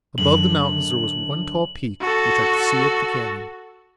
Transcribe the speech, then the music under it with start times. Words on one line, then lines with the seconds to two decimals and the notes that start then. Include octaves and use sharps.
Above the mountains there was one tall peak which I could see up the canyon.
0.18 F#2 D3 G#3 F#7
2.01 F#4 A4